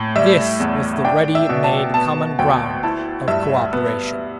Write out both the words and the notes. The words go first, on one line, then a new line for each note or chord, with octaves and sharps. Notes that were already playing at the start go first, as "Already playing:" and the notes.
This was the ready-made, common ground of cooperation.
Already playing: A2
G3 E5
E2
D4 G5
E5
B2
A5
B3 A5
D2 G5
E4 A5
G2 E5
B3